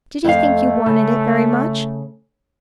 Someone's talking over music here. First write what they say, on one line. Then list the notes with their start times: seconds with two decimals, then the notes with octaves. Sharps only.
'Did he think you wanted it very much?'
0.24 F2 A3 F4 F5
0.86 C#3